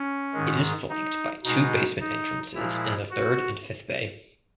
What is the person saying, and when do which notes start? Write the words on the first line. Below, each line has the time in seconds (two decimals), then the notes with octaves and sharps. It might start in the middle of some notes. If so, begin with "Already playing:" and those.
It is flanked by two basement entrances in the third and fifth bay.
Already playing: C#4
0.33 G#2 D#3 G#3
0.90 D#4
1.44 B2 G#3 D#4
2.00 D#4
2.55 A#2 F3 G#3 E4
3.11 F#4